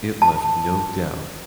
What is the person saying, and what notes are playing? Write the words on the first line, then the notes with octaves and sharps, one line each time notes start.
It left no doubt.
A5